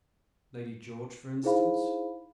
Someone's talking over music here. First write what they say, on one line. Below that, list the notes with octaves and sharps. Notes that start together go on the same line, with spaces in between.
"Lady George for instance."
D#4 E4 G#4 C5 F5 B5